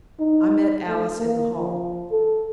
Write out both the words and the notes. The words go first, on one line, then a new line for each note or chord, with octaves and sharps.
I met Alice in the hall.
D#4
A3
A#3
F3
A4